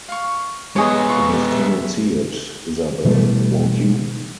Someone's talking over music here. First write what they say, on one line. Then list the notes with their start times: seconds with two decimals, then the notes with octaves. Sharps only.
You must come and see it, Isabel — won’t you?
0.08 F5 C#6
0.76 G#3 B3 G#4 C#5 D#5 G5
1.09 F4 C#6
1.32 G4 D#5
1.51 E5
3.05 B2 E3 G3 A3